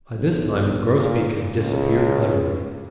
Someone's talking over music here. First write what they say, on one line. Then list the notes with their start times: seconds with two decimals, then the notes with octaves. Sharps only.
By this time the grosbeak had disappeared utterly.
0.16 B1
0.94 A#2
1.56 C#2